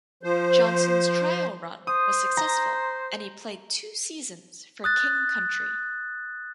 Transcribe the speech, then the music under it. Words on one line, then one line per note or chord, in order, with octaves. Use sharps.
Johnson's trial run was successful and he played two seasons for King Country.
F3 C5
C5 D#6
A#5
D#6 F#6 A6